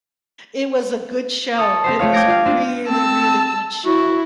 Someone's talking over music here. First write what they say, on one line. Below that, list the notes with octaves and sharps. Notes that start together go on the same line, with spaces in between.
it was a good show, it was a really, really good show,
A5 C#6 D#6
C4 G4 C5
A3 F4 C#5 F5
G5 D6 G6 G#6 A#6 D7
F4 F5 G5
C4 D4 F4
C4 A5 E6
E4 F#4